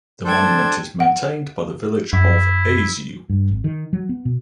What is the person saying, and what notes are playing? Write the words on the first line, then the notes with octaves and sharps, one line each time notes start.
The monument is maintained by the village of Aasu.
D4 A4 C5 G5 G#6
F#5
F#2 E4
G2
G#1
D#3
F#3
B3
B2